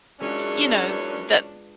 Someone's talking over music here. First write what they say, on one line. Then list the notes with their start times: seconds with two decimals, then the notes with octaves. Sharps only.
you know, that
0.21 F#2 E3 G#3 C#4 D4 F4
0.90 B4